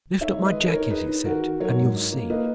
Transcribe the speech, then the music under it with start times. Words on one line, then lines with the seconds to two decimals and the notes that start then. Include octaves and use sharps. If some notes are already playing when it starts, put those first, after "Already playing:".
"Lift up my jacket," he said, "and you'll see."
0.21 D#4 C#5 E5
0.39 G#3
0.45 B4 D#5
0.56 D#3
0.67 A#4 C#5
0.74 D#4
0.90 D#4 G#4 B4
1.08 D#4
1.25 D#3 F#4 A#4
1.43 D#3
1.60 F#3 A#4 C#5
1.78 G#2
1.95 D#4
2.12 A#3
2.30 A#3 B4 D#5